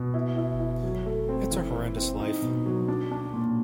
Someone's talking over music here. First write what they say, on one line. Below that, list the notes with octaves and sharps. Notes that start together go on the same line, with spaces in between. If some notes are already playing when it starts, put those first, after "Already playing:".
It's a horrendous life.
Already playing: B2
E4
E4
E4
F#3
A3
C4
E3
E3
C4
D#4
B2
F#3
D4
D4
A#2